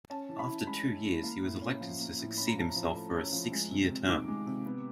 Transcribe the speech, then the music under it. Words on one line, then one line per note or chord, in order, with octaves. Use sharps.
After two years he was elected to succeed himself for a six-year term.
C#4 A5
E3
B5
E4
G#3 B5
C#4
E3
A#3
A2
C#4
F3
A#3
A2
C#4 B5
A#5
F3 A5
A#5
F3
A3
C#4
F3
G#3
C3
C3
D#3 D6
G#3
C3
B3